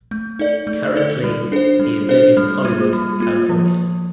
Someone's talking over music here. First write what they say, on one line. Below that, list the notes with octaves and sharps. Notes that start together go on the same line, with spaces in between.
Currently, he is living in Hollywood, California.
A3
D#4 A4 D5
A3
D#4 A4 D5
G3
D4 A4 C5
G3
D4 A4 C5
G3
A#3 F4
G3
A#3 F4
F3